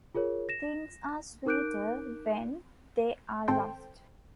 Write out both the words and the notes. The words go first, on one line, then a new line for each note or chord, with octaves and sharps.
Things are sweeter when they're lost.
F4 G#4 A#4 C#5
A#6 E7
D#4 A#4 D6 F#6 G6 D7
G#1 C4 A4 C5 G5